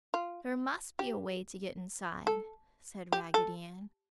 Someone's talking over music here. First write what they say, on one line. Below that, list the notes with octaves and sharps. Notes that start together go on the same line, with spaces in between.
"There must be a way to get inside," said Raggedy Ann.
F4
G4
A4
G4
A4